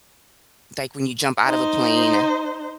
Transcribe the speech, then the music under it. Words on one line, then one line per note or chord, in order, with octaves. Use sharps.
like, when you jump out of a plane
D#4 C5